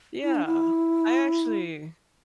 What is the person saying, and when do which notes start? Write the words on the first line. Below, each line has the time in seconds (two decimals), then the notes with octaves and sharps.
Yeah. I actually
0.23 E4
0.35 D4
0.46 E4